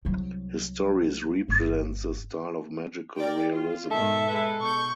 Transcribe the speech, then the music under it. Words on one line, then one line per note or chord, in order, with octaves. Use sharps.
His stories represents the style of magical realism.
C2 F#3
G1
A#4 D5 G5
F4
G#2 B2 D#3 A4 E5
G#3 B4
B2 C#6 G6